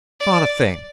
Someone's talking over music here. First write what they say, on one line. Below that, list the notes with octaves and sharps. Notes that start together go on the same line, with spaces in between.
Not a thing.
D5